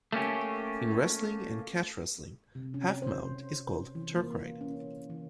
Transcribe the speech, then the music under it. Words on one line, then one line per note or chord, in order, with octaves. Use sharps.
In wrestling and catch wrestling half mount is called Turk ride.
A3 A#3 C#4 G4
C3
C#4
C5
E3
A#3
C#4
E3